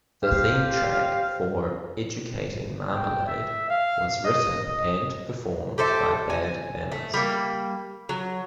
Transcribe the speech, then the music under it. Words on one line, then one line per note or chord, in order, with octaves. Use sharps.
The theme track for "Educating Marmalade" was written and performed by Bad Manners.
G4 C5 F5
G5
E5
F5
D#5
D#5
G4 A4 C5 E5
G#5
A3
G3 A#3
F#3